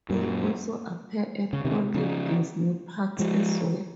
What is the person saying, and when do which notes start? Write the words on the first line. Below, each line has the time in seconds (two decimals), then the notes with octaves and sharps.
They also appear at all the Disney Parks as well.
0.10 F#2 A#2
1.53 C#3
1.65 C3 D#3
1.94 C#3 F3
3.19 F3 G#3